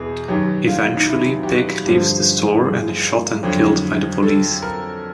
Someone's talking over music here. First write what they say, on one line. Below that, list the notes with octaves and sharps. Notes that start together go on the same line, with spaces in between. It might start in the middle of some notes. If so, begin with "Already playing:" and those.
Eventually Pig leaves the store and is shot and killed by the police.
Already playing: E2 B2 G#4
F#2 D#3 F#3 G4
F4
D#4
E4
G4
F#4
G2 D3 F3 G4
G#4
F2 D3 F#3
A4
A#4